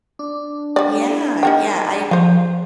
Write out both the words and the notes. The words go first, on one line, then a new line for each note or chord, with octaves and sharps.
Yeah, yeah, I
D4
G3 D5
D#4 A#4 G5
F3 C5 F5